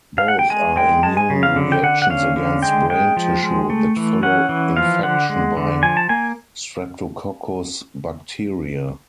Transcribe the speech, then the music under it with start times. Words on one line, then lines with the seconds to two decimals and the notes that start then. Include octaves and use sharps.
Both are immune reactions against brain tissue that follow infection by "Streptococcus" bacteria.
0.18 F5
0.28 F#5
0.39 G5
0.50 G#3 G#5
0.76 G#3 G5
1.03 G#3 A5
1.17 G#5
1.30 C#3
1.43 F5
1.56 D3
1.72 G5
1.83 D3 F#5
2.02 F#5
2.10 C#4 F5
2.36 D3
2.63 G#3 G5
2.90 G#3 G5
3.17 F3
3.43 G#3
3.70 A3
3.96 E3
4.23 C#4 F#5
4.49 E3
4.77 F3 F5
5.03 D3 F#5
5.29 G#3
5.57 D3
5.83 F3 G#5
5.97 A5
6.09 A#3 G#5